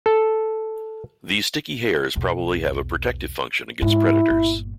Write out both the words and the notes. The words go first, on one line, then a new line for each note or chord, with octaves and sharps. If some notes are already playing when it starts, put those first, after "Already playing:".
These sticky hairs probably have a protective function against predators.
A4
B1 E2
G#2 E4
G1 A#2